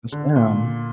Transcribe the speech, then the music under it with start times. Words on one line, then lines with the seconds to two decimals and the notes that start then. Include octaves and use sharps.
Yes, ma'am.
0.12 D3
0.36 A#2